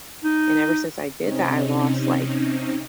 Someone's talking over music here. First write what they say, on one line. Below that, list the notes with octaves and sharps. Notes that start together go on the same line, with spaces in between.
And ever since I did that, I lost, like,
D#4
C3 C4 C#4 D#4